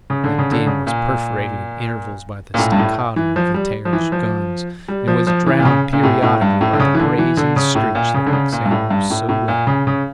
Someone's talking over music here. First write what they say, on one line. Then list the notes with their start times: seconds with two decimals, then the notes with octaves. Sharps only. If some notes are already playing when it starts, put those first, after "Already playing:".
The din was perforated at intervals by the /staccato/ of the Terror's guns, and was drowned periodically by the brazen screech that Quicksand knew so well.
0.10 C#3
0.24 D3
0.39 C#3
0.51 D3
0.66 C#3
0.87 A#2
2.54 A#2
2.58 A2
2.72 G2
2.79 A2
3.16 E3
3.36 F3
3.54 G3
3.85 F3
3.93 E3
4.12 F3
4.88 G3
5.08 F3
5.27 F3
5.46 E3
5.59 A#2
5.65 C#3
5.93 A#2
6.03 A2
6.22 A2
6.42 G2
6.61 A2
6.73 D3
6.79 C#3
6.95 E3
7.00 D3
7.18 E3
7.37 D3
7.56 C#3
7.75 A2
7.95 A#2
8.14 C#3
8.26 D3
8.32 C#3
8.52 A#2
8.66 G2
8.71 A2
8.90 G2
9.10 A2
9.29 A2
9.48 A#2
9.67 C#3
9.87 C#3